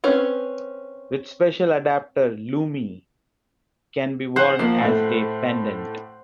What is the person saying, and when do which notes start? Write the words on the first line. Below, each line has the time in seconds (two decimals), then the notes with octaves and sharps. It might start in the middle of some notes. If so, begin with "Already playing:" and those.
With special adapter, "Lumi" can be worn as a pendant.
0.04 C4 C#4 B4
4.36 C5 F#5
4.59 F3 A#3 C7
4.80 A2 A3